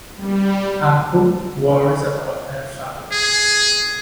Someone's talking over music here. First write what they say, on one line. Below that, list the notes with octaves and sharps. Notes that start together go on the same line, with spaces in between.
Appu worries about her father.
G3
G#4